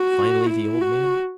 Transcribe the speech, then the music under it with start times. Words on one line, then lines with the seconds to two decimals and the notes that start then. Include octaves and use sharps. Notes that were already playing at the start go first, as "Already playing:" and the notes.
Finally, the old man?
Already playing: F#4
0.46 E4
0.81 F#4